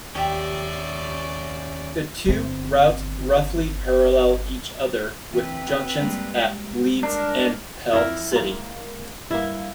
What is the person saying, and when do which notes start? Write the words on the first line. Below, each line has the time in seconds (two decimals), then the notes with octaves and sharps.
The two routes roughly parallel each other, with junctions at Leeds and Pell City.
0.15 D#2 C#4 G4 D5 E5
2.26 G1 C4
5.33 E3 C4 B4
5.67 F#4
6.00 G3 G#3 A#3
7.03 D4 A#4
7.93 F2 E4 A#4
8.32 G#3 A#3
9.31 G2 A#3 E4